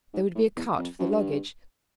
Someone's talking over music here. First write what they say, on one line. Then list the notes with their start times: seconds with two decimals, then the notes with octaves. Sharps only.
There would be a cart for the luggage.
0.14 G#2
0.35 A2
0.57 E2
0.78 F2
0.99 F#2
1.10 G2